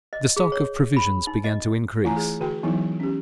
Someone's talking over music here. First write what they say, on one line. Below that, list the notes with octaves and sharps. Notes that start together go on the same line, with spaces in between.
The stock of provisions began to increase.
D#5
G#4
C#5
B5
D#4
D#5
E3 A3 E4 F4 G#5 A#5
G#4
D3 F#4 G#4 G5
E3 F#3 B3 D#4 E4
C#4 G4